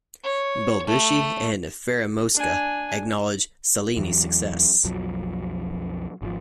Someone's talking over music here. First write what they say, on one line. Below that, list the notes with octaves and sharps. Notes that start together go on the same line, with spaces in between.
Balducci and Fieramosca acknowledge Cellini's success.
C#5
A3
D4 G#5
E2 E3 F#3
B1 F2 F3 F#3
G#1 C#3 F3